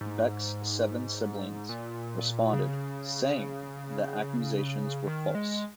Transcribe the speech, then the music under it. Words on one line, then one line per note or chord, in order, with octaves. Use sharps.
Beck's seven siblings responded saying the accusations were false.
G#2
A#2
C#3
D#3
G#3